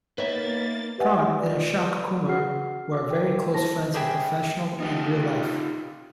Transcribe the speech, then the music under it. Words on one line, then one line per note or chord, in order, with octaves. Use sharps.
Pran and Ashok Kumar were very close friends in professional and real life.
A#3 B3 D#4 B4 C#5 D#5 E5 A6
G4 B4 D5 E5 F#5 G#5
F4 B4 D5
F#4 G#4 F#5 F6 C7
D6
A#4 G5
E4 C5 A5 A#6
G4 G#4 B4 E5 G5 G#5
D#4 F4 G4